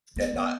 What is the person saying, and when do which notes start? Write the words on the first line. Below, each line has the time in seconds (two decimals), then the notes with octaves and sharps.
and not
0.16 B3
0.34 B3